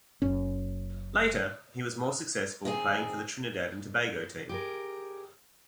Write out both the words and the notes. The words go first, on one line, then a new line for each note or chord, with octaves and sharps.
Later, he was more successful playing for the Trinidad and Tobago team.
F#1 F#2 C#4
D#3 C4 G#4
G4 G#4 A#4